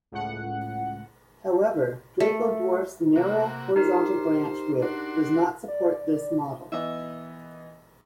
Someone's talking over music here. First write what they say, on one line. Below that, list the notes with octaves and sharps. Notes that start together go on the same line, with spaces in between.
However, Draco Dwarf's narrow horizontal branch width does not support this model.
C#2 A2 F#5
A3
C3 A#3 F#4
D#4 G4 A#4 C5
D4 F#4 C6
D5
E3 B3 D#5 E5